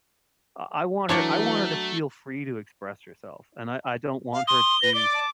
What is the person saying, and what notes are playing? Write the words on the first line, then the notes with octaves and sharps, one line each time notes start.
I want her I want her to feel free to express herself, and I I don't want her to,
E3 F#3 A3 D4 C#5 D5
F5
C6 D#6 G7
B4 A#6
D5 D6
A5